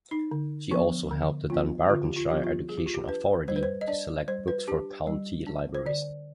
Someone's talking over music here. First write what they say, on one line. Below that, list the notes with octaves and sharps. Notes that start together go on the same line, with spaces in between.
She also helped the Dunbartonshire Education Authority to select books for county libraries.
D#4
D3
F3 B3 D4
D3
F3 B3 D4 F4
D3 F4
G4
F4
F3 B3 D4 G4
F4
G3 G#4
G4
F4
G4
D4 B4
G3 C5
B4
C5
D#5
D4 D5
G3 C5
B4
D4 G4
G3
D4
C5
D3 D5